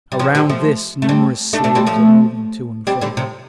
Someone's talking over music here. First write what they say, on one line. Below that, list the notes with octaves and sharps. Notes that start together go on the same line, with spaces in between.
Around this numerous slaves are moving to and fro.
G3
C3 F3
D3 G3
F3 A3
A3
G3 C4
A3 D4
A3 D4
G3 C4
F3 A3
G3 C4
D3 G3
C3 F3